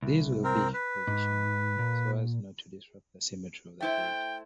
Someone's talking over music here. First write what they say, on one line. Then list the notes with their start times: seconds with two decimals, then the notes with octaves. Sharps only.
These will be positioned so as not to disrupt the symmetry of the bridge.
0.02 C2
0.44 C4 A#4
0.74 B4
1.07 G#2
1.79 A#2
3.81 A3 E4 C5 G5